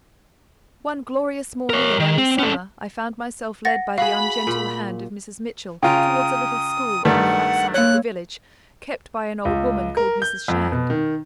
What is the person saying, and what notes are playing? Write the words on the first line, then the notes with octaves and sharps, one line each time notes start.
One glorious morning in early summer I found myself led by the ungentle hand of Mrs. Mitchell towards a little school on the outside of the village, kept by an old woman called Mrs. Shand.
A#4 C#5
D#3
C4
C#4 A4
F#5 A6 A#6
F#4 G#4 F5 B5
A#2
C#3 F4 G5 A#5 D#6 F6
G2 D#3 A3 F#5
A#3 C#5 F#6
C#2
A#4
G6
F2
B2
D#3